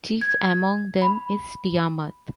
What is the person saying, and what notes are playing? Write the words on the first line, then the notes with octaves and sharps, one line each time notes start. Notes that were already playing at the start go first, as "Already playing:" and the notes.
Chief among them is Tiamat.
G#6
B5